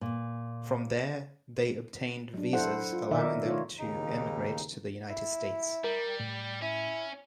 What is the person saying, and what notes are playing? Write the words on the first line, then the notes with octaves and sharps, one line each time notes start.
From there, they obtained visas allowing them to emigrate to the United States.
A#2
F#3 D4
E4 A4 C5 F#5
F4
B2 D#3 D#4 A#4 D5 E5
F4 C#5
D#2 C#3 D#4
E4
G3 A#4
A2
C#4 E4